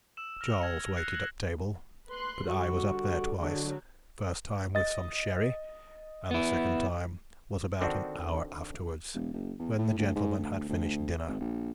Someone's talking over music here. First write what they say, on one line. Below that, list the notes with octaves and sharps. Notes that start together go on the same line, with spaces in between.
Charles waited at table, but I was up there twice--first time with some sherry, and the second time was about an hour afterwards, when the gentlemen had finished dinner.
E6 E7
F6 A#6 F7
F6 G#6 A#6 C#7
F6 F#6 A#6 C7 C#7 F7
F6 F#6 A#6 F#7
B4 C6 F#6
D3 G3 F#4
D3 F#3 G#3
D#5 A6
B3 E4
D3 D#3 C4 D4 F#4
E1
F#1
E2
A2
D2
G#2
D2
D2
G#1
A#1